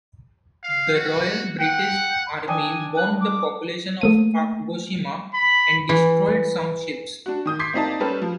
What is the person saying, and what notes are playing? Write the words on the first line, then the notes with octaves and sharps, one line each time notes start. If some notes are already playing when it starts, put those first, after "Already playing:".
The Royal British Army bombed the population of Kagoshima and destroyed some ships.
F5
F#4
F#5 G5
D4 D#5 G5 G#5
F#6
D6
A3 A#3 D#7
B5
E3
D4 F#4
D#3 D#6 G6
C6 D6 G6 G#6 B6 C7
A#3 C4 D#4 D5 D#5 A5
G3 C#4 A4 B4 C5
F3